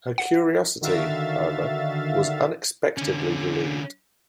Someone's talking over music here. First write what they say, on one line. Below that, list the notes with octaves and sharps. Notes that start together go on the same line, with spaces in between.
Her curiosity, however, was unexpectedly relieved.
F#5
D3 D#3 F#4 E5 F5 A6
D3 C#4